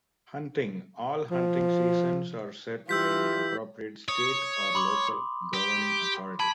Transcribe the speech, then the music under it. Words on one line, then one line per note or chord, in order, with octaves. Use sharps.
Hunting: All hunting seasons are set by the appropriate state or local governing authority.
F3
E3 F4 G4 E6 G6 B6
C#5 D#6
B5 C6 D6
G4
A5 B5 G#6 D7